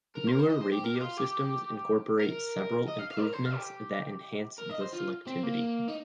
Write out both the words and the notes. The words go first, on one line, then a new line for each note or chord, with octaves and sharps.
Newer radio systems incorporate several improvements that enhance the selectivity.
A#4
C5
A#4
C5
D#5
C5
G4
A#4
G4
F4
G4
A#4
D#5
F5
F5
A#4
C5
F5
G4
A#4
D#5
C5
F4
C4
A#3
D#4